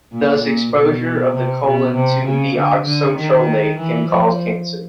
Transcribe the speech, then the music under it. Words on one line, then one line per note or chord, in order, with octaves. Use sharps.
Thus, exposure of the colon to deoxycholate can cause cancer.
A#2
A#2
B2
C3
B2
C3
C#3
D3
D3
D#3
E3
F3